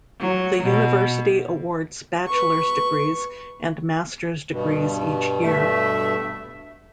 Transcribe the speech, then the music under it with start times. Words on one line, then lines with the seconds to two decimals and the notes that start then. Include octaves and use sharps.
The university awards bachelor's degrees and master's degrees each year.
0.20 F#3
0.63 B2
2.27 B4 C#6
4.50 G2 B2
5.44 A3 E5